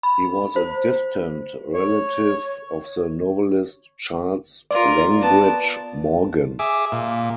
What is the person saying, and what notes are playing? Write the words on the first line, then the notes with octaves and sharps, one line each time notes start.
He was a distant relative of the novelist Charles Langbridge Morgan.
B5
C5
C#5
F4 A#4 D5
B3 A5
G#4 E5 D6
A#2